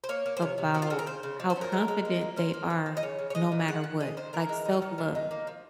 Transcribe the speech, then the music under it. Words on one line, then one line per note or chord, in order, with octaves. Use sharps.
about how confident they are no matter what, like self-love.
C5
A#3 C#5
A#3
C5
C3 C#5
C3
C4 F#4
F4
C#3 F#4
A#4
C#3 C5
C#3
F3
C5
C#4
A#4
G#3
G#3
A#3
A#3
C#4 C5
A#3
F3
F3
D#5
C#3 C#5
C#3
C#5
G#3 D#5
A#2
G#3 F#5
A#2
G#3 D#5
D#3 C5
D#3 A#4
G#3
D#4
D#3
D#3
D#4
A#3
F3